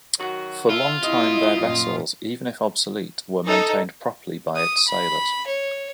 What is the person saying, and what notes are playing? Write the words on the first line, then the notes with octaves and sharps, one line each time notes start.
For long time their vessels, even if obsolete, were maintained properly by its sailors.
D#3 F#3 F#4
E4 F4 A4 E5
C3 E4 D#5
F#2 A#2
D#4 A4
D#6
B5
C#5